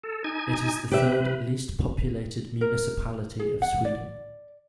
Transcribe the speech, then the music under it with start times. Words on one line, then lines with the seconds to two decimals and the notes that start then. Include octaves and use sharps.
It is the third least populated municipality of Sweden.
0.04 A4
0.24 D#4 G#5
0.92 C3 G4 B4 E5
2.61 A#4
3.39 G#4
3.62 F#5
3.85 D5